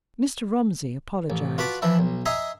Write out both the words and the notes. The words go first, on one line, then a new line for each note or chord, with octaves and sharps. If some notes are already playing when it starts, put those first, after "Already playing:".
Mr. Romsey apologized.
A1
F4 F#4 B4 A5 B5 D6
E3 F3 D4 E4
B1
D#5 E5 G#5 A#5 C6